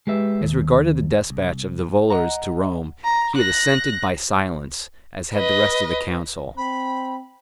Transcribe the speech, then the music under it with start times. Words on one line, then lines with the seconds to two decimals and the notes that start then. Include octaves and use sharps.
As regarded the despatch of the volors to Rome, he had assented by silence, as had the rest of the Council.
0.07 G#3 G4 B4 E5
0.41 D#2
1.31 C2
2.10 D#5 F#5 A#5
3.04 A#5
3.36 F#6 A#6
5.35 B4 D#5
6.57 C4 B5